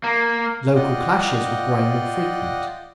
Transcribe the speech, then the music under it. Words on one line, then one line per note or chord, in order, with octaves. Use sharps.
Local clashes were growing more frequent.
A#3
F4 D5 D#5 F#5 G5